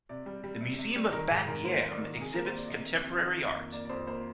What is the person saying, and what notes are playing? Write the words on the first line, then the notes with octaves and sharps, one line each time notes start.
The Museum of Bat Yam exhibits contemporary art.
C3 D5
G3
G3
C3
C3
G3
D#3 A#4
G#2 G#4
G#2 A#4
A#3 C5
A#3
D5
D#3
C3 G#4
A#3 A#4
C5
A#3
D5
C3 D#5
C3
C3
D#3
F2
A#3
A#3 D5
D5
F2 C5
A#3 C5